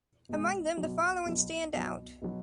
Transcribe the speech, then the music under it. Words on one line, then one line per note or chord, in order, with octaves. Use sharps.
Among them, the following stand out.
B2 G#3
B2 F#3
B2 F#3
B2 F#3
B2 F#3